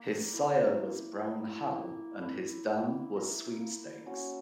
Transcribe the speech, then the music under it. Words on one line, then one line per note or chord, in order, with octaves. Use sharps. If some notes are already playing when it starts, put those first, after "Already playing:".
His sire was Brown Hal and his dam was Sweepstakes.
Already playing: A#3
E4 A#4
A#3
E4 A#4
A#3
E4 A#4
A#3
E4 A#4
A#3
C#4 F#4 C#5